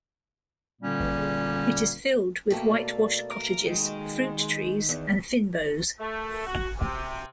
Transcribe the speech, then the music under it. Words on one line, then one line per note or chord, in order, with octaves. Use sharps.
It is filled with whitewashed cottages, fruit trees and fynbos.
A#2 D3 G3 A#3 C#4
B2 A3 A#3 G5
D5
A#4
D#3 G#3
E2
A3
F#4
C3